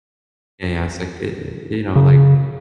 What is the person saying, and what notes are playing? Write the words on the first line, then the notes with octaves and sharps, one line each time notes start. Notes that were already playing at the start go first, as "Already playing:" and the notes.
yeah, yeah, it's like, e e eh, you know, like
C#3